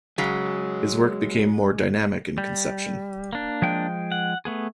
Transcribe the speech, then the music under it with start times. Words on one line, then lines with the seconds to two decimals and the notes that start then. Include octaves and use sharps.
His work became more dynamic in conception.
0.18 C#3 F#3 G#3
2.38 G3
3.33 A#3 D4
3.62 F3 G#3 G5
4.12 F#5
4.45 A3 B3 G#4